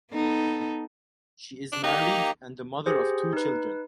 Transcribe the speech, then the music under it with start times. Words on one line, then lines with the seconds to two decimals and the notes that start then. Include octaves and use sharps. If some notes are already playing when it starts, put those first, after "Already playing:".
She is married and the mother of two children.
0.12 B3 D#4 A4
1.72 D4
1.84 A#3 D#4 G4 A#5
2.86 G4 G#4 C5
3.33 D#4 B4